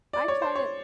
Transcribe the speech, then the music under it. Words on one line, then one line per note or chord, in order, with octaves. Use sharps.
I tried it
D5
C#5
C5
C#5